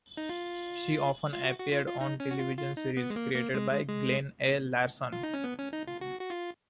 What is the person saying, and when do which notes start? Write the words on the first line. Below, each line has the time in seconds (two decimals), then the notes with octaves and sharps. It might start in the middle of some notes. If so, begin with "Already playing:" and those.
She often appeared on television series created by Glen A. Larson.
0.17 D#4
0.29 F4
1.33 F4
1.44 F#4
1.59 F#4
1.72 F4
1.87 F4
2.01 D#4
2.20 C#4
2.31 F#4
2.39 F4
2.58 F4
2.77 D#4
2.97 B3
3.10 G#3
3.16 A#3
3.35 A#3
3.54 G#3
3.72 G#3
3.89 G#3
5.13 F4
5.23 D#4
5.34 C#4
5.44 B3
5.59 C#4
5.73 D#4
5.88 F4
6.01 F#4
6.21 F#4
6.30 F4